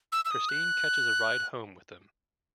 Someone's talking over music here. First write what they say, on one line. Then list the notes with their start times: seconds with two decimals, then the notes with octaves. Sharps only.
Christine catches a ride home with them.
0.12 E6
0.25 E6
0.31 D#6
0.49 F#6